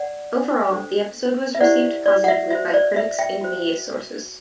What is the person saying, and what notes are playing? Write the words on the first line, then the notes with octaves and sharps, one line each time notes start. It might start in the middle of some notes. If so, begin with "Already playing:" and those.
Overall, the episode was received positively by critics and media sources.
Already playing: D5 F#5
D4 A4 C5
E5
E4 G4 C5 D5 F#5
D5
F#5
E5
F#4 C5 E5
D5
E5
E5 G5
F#4 C5